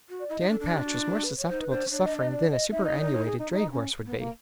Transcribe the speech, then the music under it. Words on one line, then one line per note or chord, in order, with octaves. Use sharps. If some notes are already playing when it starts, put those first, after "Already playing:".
Dan Patch was more susceptible to suffering than a superannuated dray horse would be.
F#4
D5
E4 D#5
D#4
D4 A4
D4
G4
F4
F#4
F4
F#4
B4
C#5
D#4 C5
B4
D4 C5
C#4
D4 C#5
D#5
D#5
D5
D#5
D#4 E5
D#5
D5
C#5
G#4
D#4
D#4
C#4
B3
A#3